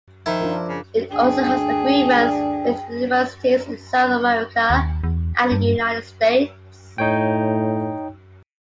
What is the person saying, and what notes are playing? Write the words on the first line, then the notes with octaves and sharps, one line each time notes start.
It also has agreements with universities in South America and the United States.
D#3 F3 E4
D4 F4 A#4
C#3
D2 D4 G#4 G5
D#2
E2
G2
A2 D#4 C#5 G5